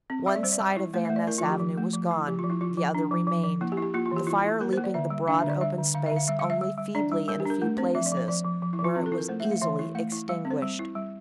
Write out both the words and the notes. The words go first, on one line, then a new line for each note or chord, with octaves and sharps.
One side of Van Ness Avenue was gone; the other remained, the fire leaping the broad open space only feebly in a few places, where it was easily extinguished.
C4
G3 E5
D5
G3 C5
D5
G3
E4
A3 C5
A3 E5
D5
E4 A#4
F3 F4
G4
F3
A3
F3
E4
F3 G4
F4
F3
E4
F3 F4
F3
D4
F3
F3
F3
A#3 E4
G4
E4
G4
A#3 F4
F4
E3
G4
E4 F4
E4
A#3 A#4
C5
A#3
D5
D3 E5
G3
D4 F5
E5
D3
D5
G3 E5
D3
D3 F5
E5
D3 F5
G3 E5
G3 F5
E5
G3
G3
D4 D5
G3
G3 A#4
G4
D4 A#4
A3 A#4
C4 C5
F3 E5
D5
F3 C5
F3 D5
F3
F3
E4
F3
F4
C4 F4
A4
E4
A#4
A3 C5
A3 E5
F5
E3 E5
E4
A3 F5
E4
G3 F5
C4
C5
G3
E4
G3